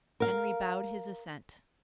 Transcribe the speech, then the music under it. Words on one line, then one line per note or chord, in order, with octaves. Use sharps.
Henry bowed his assent.
A#4 F5